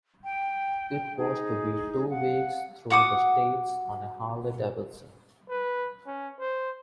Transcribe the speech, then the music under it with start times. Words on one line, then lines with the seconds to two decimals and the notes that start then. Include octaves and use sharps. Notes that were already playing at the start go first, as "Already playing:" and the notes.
It was to be two weeks through the States on a Harley-Davidson.
0.24 G5
1.18 D#4 G#4
2.09 F5 F#5
2.90 F#4 F#5 D6 D#6
5.49 B4
6.07 C#4
6.40 C5